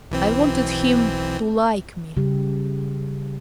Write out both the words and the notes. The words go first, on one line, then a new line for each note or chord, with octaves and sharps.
I wanted him to like me.
B1 E3 C4
C#3 G3 G4